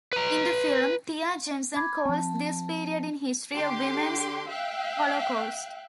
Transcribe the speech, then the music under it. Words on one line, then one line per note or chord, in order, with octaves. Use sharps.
In the film, Thea Jensen calls this period in history a "Women's Holocaust".
B4 A#5
B5 D6 G#6
F3 C4 A5
D3 G4 C6 D6
E5 F5 G5 F#6